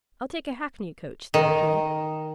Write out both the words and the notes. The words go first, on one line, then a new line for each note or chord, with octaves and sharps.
"I'll take a hackney-coach!" thought he.
D#3